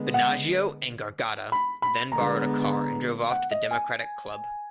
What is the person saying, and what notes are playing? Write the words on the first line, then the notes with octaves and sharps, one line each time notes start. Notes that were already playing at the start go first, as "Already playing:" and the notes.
Binaggio and Gargotta then borrowed a car and drove off to the Democratic Club.
Already playing: D3 G#3 B3
F#5
B5
B5
D3 G#3 B3 A#5
F#5
D#5
G#5